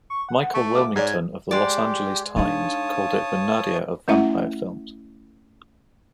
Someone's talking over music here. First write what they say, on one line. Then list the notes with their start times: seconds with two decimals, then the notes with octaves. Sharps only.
Michael Wilmington of the "Los Angeles Times" called it the nadir of vampire films.
0.10 C#6
0.29 F#5
0.54 A3 C#6
0.75 F3 F#3 E5 D6
0.96 G#2 G#4 C#5 D5 G#6
1.51 G#3 G4 D5
2.36 D4 D#4 C#5 F5 A5 D#6
4.08 A3 C#4 E4 E5 F#5